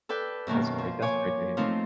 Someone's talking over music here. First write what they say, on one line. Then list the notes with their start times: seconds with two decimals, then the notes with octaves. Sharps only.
That's great that's great to hear.
0.09 A4 B4 D5 G5
0.47 F#2 B2 D#3 A#3
0.78 F3
1.02 C#5 G#5 D6
1.57 F3 A3 C4 D#4 F4